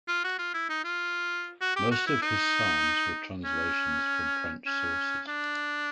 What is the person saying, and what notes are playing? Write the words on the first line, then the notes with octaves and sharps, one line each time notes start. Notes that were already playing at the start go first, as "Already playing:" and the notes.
Most of his Psalms were translations from French sources.
F4
F#4
F4
E4
D#4
F4
F#4
G4
F#4
E4
D#4
C#4
C#4
D4